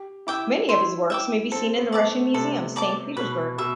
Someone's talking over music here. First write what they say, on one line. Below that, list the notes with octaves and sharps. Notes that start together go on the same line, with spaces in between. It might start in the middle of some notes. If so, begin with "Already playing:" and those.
Many of his works may be seen in the Russian Museum, Saint Petersburg.
Already playing: G4
E4 E5 G5 D6
E4 C5
E5 G5 D6
C4 A4
B3
D5 A5 D6
A3
C3 A4
D5 A5 D6
B2 B4
B2 E5